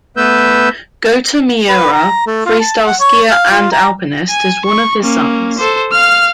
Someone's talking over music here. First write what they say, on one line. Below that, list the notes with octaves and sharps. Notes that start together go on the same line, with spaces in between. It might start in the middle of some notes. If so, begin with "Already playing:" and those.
Gota Miura, freestyle skier and alpinist, is one of his sons.
A3 B3 B4 E6 G6
B4
A#5
A3
F4
A5
F#5
C#5
F5
F4
A#5
G#5
C#6
A#3 C#4
A4 C5
F5 F6